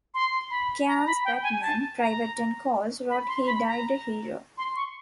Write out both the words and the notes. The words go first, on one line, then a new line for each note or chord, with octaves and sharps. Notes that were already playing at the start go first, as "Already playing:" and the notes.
Cairns's batman, Private N. Coales wrote He died a hero.
C6
B5
A#5
B5
G5
G#5
A5
A#5
B5
C6
B5
A#5
C6
C#6